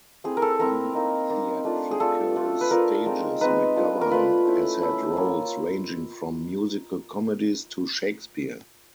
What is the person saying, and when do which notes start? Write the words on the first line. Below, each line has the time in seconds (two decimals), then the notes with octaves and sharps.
On theatrical stages, McGovern has had roles ranging from musical comedies to Shakespeare.
0.24 A3 C4 E4 G#4
0.37 A#4
0.42 A4
0.59 A3 C4 E4 A#4
0.94 A#3 D#4
1.30 A#3 D#4
1.65 A3 D4 F4
1.91 G#4
2.00 A3 D4 F4 A4
2.36 A3 D4 F4
2.61 B4
2.71 A3 D4 F4 A#4
3.06 G#3 C4 D#4
3.41 G#3 C4 D#4 B4
3.76 A3 D4 F4
4.01 A#4
4.11 A3 D4 F4 B4
4.46 A3 C#4 E4
4.82 A3 C#4 E4
5.17 A#3 C#4 F4